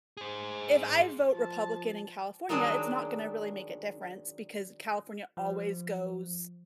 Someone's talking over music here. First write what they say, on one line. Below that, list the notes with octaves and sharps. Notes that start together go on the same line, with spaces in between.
if I vote Republican in California, it's not gonna really make a difference because California always goes,
G#4 C5
F3 A5
D#3 F#3 G#3 D4 G#4 A5
F3